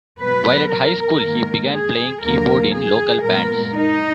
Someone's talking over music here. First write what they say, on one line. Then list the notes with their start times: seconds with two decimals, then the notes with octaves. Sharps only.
While at high school he began playing keyboard in local bands.
0.20 B2 F#3 B3 B4
0.71 A#4
1.22 G#2 D#3 A#3
1.73 G#4
2.24 D#2 D3 F#3 A#3 A#4
2.74 G#4
3.24 A#2 G#3 B3 A#4
3.76 D#4